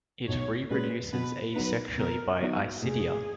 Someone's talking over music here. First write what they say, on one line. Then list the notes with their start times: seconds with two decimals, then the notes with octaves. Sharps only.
It reproduces asexually by isidia.
0.28 B1 C#5
0.70 A#2 G#3 C#4 F#4 B4
1.12 B2 B4
1.54 F#3 B3 D#4 B4
1.98 B2 A#4
2.40 F#3 B3 D#4 F#4
2.82 F1 G#4